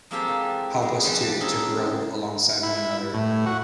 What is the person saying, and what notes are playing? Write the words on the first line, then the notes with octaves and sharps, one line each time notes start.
help us to to grow alongside one another,
G#3 A#3 C4 F4 G4 A4
E3
G#3
E3 F3 G3 E4
A5
C#3 C4 D#4 G#4 A4
E4
A2
F#4